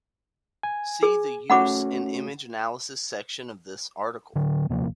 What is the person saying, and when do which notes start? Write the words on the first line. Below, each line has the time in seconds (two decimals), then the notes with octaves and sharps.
See the Use in image analysis section of this article.
0.63 G#5
1.03 G#4
1.50 A3 C#4 F#4 F#5 B5 D6
4.36 D3 F#3
4.69 D#1 C3 F3 A#3